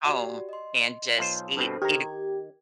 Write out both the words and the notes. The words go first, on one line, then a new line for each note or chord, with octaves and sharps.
home and just eat eat a
F#4 G4 D5
D#5 C6
B1 F4 C5
G2 B2 C4 D4 A4 C5
D#3 G4 A#5 G#6